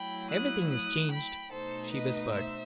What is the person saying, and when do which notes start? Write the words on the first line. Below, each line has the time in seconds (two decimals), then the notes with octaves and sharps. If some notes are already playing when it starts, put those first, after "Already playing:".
"Everything is changed," she whispered.
Already playing: F#3 A3 E4 G5 B5
0.31 D#6 F#6
0.72 D#6 F#6
1.12 G5 B5
1.52 B2 A3 D#4 A4 C5
1.93 B4 D#5
2.34 C5 E5